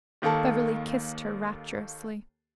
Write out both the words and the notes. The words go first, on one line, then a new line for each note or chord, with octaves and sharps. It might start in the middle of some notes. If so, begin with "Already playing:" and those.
Beverly kissed her rapturously.
D#2 D#3 A#3 A4 A5